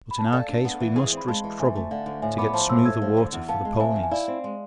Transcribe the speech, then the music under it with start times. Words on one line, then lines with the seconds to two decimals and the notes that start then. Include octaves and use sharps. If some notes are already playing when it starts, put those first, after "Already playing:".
But in our case we must risk trouble to get smoother water for the ponies.
0.11 B5
0.18 A5
0.25 G#5
0.32 A4 D5 F5
0.49 D4
0.65 B3
0.80 E3
0.96 G#4
1.12 C4 B5
1.28 G#3 F5 A5
1.44 E3
1.60 D2 E5 G#5
1.76 A3
1.91 D3 D5 F5
2.06 D2
2.22 A2 E5 G#5
2.38 B3 B5 D6
2.49 B5
2.53 F3 A5 C6
2.70 A2 C6 E6
2.85 A3 E6 G#6
3.02 F3
3.17 D3
3.33 E2
3.48 B3 F5 A5
3.65 G#3
3.80 C3 E5 G#5
3.96 E2
4.03 G#5
4.11 E4 D5 F5
4.28 C4
4.44 G#3